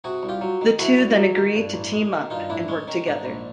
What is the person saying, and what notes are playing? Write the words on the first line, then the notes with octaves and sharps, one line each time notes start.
The two then agree to team up and work together.
C3 F#4 G#4
C2
F4 G4
F#3
D#3
C3 E4 F#4
C2
F#3
D#3
G2
A1
G#3
D#3
G2 D#4 F4
A1 D4 E4
G#3 C#4
D#3 C#4
G#2 D4
A#1